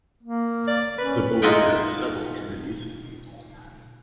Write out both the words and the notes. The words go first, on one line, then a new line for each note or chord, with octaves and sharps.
The board has several committees.
A#3
D5
C#4 B4
D#4 F4 D#5 E5 F#5 G5